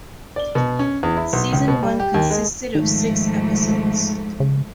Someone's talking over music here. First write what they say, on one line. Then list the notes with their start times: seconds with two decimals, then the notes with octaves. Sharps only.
Season one consisted of six episodes.
0.36 D5
0.55 B2
0.79 C#4
1.03 E2
1.16 E4
1.33 B1
1.53 C#2
1.68 B2
1.83 G3
2.00 G4
2.14 D#2
2.31 G#3
2.75 G#2 D#3 F3 A3
4.40 C#3